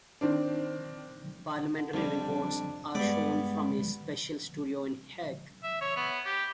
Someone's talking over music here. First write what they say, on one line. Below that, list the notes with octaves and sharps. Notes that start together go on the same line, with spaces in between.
Parliamentary reports are shown from a special studio in The Hague.
D#3 C4 D4
D3
F2 G3 D4
G2 G#3 B3 D5
E5
C#5
B3
G4